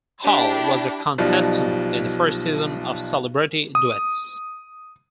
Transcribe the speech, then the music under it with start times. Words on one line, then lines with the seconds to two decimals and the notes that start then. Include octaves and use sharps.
Hal was a contestant in the first season of "Celebrity Duets".
0.24 D4 E4 G4
1.18 B1 B2 F3 G3
3.75 D#6